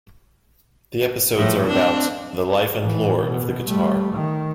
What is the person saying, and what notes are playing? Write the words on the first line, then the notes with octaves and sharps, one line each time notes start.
The episodes are about "the life and lore of the guitar".
A2 F3
C4 D4
A2 E3
B2
G3 A3
D#3